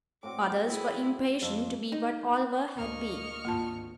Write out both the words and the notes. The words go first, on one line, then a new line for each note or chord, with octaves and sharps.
Others were impatient to be what Oliver had been.
A2 C4 F#4 D6
E4 G#4
F2
D#4
D2 A#3 D#5 C#6 F6
G#1 D2 A#3 F4 A5